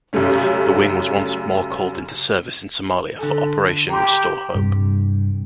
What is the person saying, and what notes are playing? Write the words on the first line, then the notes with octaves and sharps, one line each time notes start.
The wing was once more called into service in Somalia for Operation Restore Hope.
F#2 C#3 G3 A3 C#4
D3 A4
G4 A#5 C6
G2 C3